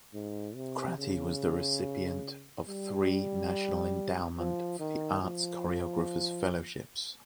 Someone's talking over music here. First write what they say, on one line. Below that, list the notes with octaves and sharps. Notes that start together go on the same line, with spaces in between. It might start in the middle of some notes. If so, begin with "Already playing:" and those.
Cratty was the recipient of three National Endowment for the Arts Choreographer's Fellowships.
G#2
C3
C#3
G3
F3
D#3
F3